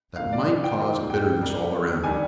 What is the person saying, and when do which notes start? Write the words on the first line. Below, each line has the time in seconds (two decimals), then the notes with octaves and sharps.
That might cause a bitterness all around.
0.16 D3 F3 A#3 F5
0.33 D5
0.47 D#5
0.64 G5
0.79 D#3 G3 A#3 F4
1.10 G5
1.41 C3 G3 A#3
2.04 D#3 G3 D4 G#5